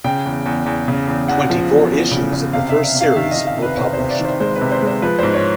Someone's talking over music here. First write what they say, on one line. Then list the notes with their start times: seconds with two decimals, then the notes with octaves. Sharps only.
Twenty-four issues of the first series were published.
0.04 C#3 G5
0.26 E2
0.46 E2
0.66 E2
0.88 C#3
1.08 E2
1.28 E2 F#5
1.50 F3
1.70 E2
1.92 E2
2.11 C#3
2.33 C#3
2.53 C3 F5
2.69 C3 E5
2.84 E5
2.95 C3
3.01 F5
3.16 D#3 E5
3.31 D#3 D#5
3.47 F5
3.57 C3
3.62 B4
3.77 C3 C5
3.93 C5
3.99 C3
4.09 D5
4.20 D#3
4.25 C5
4.40 G#3 C5
4.56 B4
4.61 C3
4.72 C5
4.82 G#3
4.87 C5
5.02 F3 B4
5.19 G#2 C5
5.34 C#5